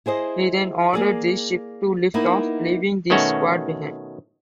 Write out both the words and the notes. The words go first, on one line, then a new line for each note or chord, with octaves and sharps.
He then orders the ship to lift off, leaving the squad behind.
E4 G#4 C5 D#5
A#3 G#4 D5
A#3 B3 D#4 E4 A#4
B2 D#3 A3 C#4 F#4